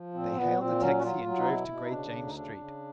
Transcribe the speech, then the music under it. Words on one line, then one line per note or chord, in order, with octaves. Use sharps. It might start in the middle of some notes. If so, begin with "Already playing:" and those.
They hailed a taxi and drove to Great James Street.
Already playing: F3
A#2 C4
A#2 B3
A#2 C4
F#3 C#4
F#4
F#3 F4
F#3
D#4
B2 E4
B2
D#4
C#3 D4
D2
D#4
C#3 D4
C#3